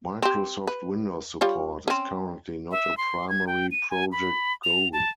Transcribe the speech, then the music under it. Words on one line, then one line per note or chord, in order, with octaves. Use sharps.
Microsoft Windows support is currently not a primary project goal.
C4 G4
B4
G3 F4 C#5
C4 C#4
E5
C6
G#6
G5
D#7
G#5
B5
F7
A5